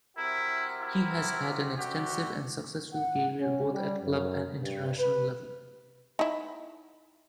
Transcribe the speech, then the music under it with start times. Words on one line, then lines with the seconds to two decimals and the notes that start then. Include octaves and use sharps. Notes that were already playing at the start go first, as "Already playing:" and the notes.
He has had an extensive and successful career both at club and international level.
0.17 C3 E4 F#4 A#4
0.80 E4
1.77 D2 F#4 G4
2.94 F#5
3.40 C#4
3.72 G3
4.04 F#2
4.60 G2
4.98 B4
6.19 D#4 E4